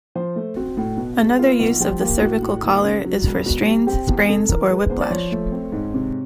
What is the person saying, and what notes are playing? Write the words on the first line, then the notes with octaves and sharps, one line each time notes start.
Another use of the cervical collar is for strains, sprains or whiplash.
F3 C5
A3
C4 F#4
A2
B2
G#3
B3 F4
B1
F3 G4
A#3 G4
A2 F#4
A2
D#2
C#3
F#3
E1
B2 F#4
G3
C4 G4
E2
C3 A4
E3 A#4
G#3 B4
E2 C5
D5
F3 C#5
A3
C4
G#2
C3